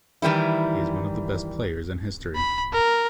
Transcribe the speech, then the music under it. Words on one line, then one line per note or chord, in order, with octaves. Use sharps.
He is one of the best players in history.
D#3 E3 G3 E4
B5
A#4